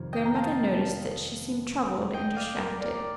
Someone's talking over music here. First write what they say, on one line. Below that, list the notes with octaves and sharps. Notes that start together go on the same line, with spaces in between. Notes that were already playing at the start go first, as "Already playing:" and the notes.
Grandmother noticed that she seemed troubled and distracted.
Already playing: F2 C3 D#3 G3
D#5 G5
A#5
F5 A5
D#5 G5
D5 F5
A#4 D5
A#4 D5